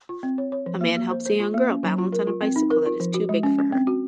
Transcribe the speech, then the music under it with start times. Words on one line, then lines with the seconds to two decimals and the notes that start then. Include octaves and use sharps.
A man helps a young girl balance on a bicycle that is too big for her.
0.09 F4
0.23 C4
0.38 C#5
0.52 C#5
0.66 F3
0.81 A#3
0.97 A#3
1.11 C5
1.26 C5
1.40 F4
1.54 A#3
1.69 C#4
1.83 F#3
1.99 F4
2.12 A#4
2.27 F4
2.42 C4
2.56 D#4
2.71 A#4
2.86 F4
3.00 F3
3.14 F#4
3.29 G#3
3.43 C#4
3.59 C#4
3.72 C4
3.87 F#4